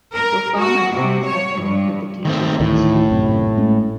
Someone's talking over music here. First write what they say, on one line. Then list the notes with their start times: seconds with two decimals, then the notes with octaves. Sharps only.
So far my scenes have been with the teachers at the school.
0.15 A#4
0.58 F#4
0.96 C3
1.26 C#5
1.58 G2
2.25 D#3 A3 C4
2.60 D2 A2 D#3 E3
3.10 G#1 F#2 C3
3.57 G#3 A3 C#4